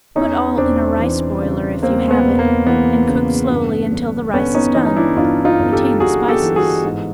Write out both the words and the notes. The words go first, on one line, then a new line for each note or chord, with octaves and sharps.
Put all in a rice boiler if you have it and cook slowly until the rice is done. Retain the spices.
E2 C#4 D#4
E1 C4 D4
E3
C#3
E2 A#3 C4
B3
E1
A#3
E3 B3
C#3
G2
G1
G1 B3 C#4
C#4 D#4
E3 C#4 D#4
D#4
D4 E4
G2 D#4 F4
D#4 F4
G1
G4 A4
G1 F#4 G#4
G4 A4
E3
F#4 G#4
G#2